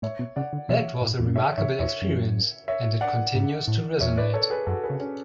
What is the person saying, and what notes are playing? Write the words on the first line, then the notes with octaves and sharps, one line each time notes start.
That was a remarkable experience-and it continues to resonate.
A2 C#5 E5
B2
C#3 D5 F#5
D3
B2 C#5 E5
A2
E2
F#2
G#2 C#5 E5
G#2 C#5 E5
E2 C#5 E5
F#2
C#5 E5
D5 F#5
G#2
A2
E2 C#5 E5
B4 D5
A4 C#5
G#4 B4
F#2 F#4 A4
G#4 B4
C#3
C#4